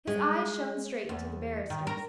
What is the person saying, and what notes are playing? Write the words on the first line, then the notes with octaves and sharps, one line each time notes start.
His eyes shone straight into the barrister's.
G#3
E2
D#3
A#4